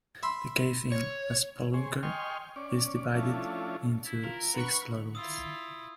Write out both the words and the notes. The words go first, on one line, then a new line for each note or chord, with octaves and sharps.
The cave in "Spelunker" is divided into six levels.
E5 B5 C6
C#5
G#4 C5 C#5
D#5 G5 G#5 C6 C#6 F6
C#4 D5
F3 A3 C#4 D4 E4 F4
E4
F4 A#4
B4 F#5 B5 C#6
E4 F4 D#6 E6